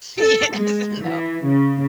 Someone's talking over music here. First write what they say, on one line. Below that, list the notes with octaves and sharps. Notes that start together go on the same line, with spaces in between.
Yes. No.
A4
G#3
E3
C#3